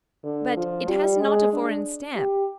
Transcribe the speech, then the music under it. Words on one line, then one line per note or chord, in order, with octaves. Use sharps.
"But it has not a foreign stamp."
D3
F3
G3
G#3
D4
G4